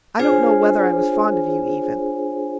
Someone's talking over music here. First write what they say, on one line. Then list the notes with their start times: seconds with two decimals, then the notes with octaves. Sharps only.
I don't know whether I was fond of you even.
0.19 D4 F4 G#4 C5 C#5 G#5